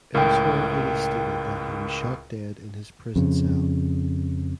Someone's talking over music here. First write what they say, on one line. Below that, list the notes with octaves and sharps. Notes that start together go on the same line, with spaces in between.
Elsewhere it is stated that he was shot dead in his prison cell.
C#2 A2 A#4 G5
F2 C#3